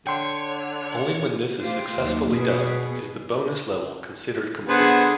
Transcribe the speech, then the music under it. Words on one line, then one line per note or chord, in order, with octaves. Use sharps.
Only when this is successfully done is the bonus level considered complete.
D3 C#5 G5 C6
A2 F4 G4 C5
D#2 F#3
B2 B3 G#4 B4
D3 B3 G#4 C5 F#5